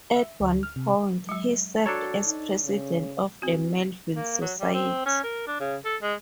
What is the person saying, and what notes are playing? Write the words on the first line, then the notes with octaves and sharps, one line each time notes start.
At one point, he served as president of the Melville Society.
E5
D2
F6
C3
F#3 G#3
D4 F#4 A4 C#5 A#5
D#4
C#3
E3 C4 F#4
A#3
F#3
G3
C4
C#4
A#4
D4
C#3
A4
G#3